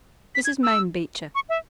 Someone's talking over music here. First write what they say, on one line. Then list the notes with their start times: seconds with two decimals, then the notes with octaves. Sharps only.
This is Mame Beecher.
0.35 B6
0.45 G#6
0.63 E6
1.35 C#6
1.49 E5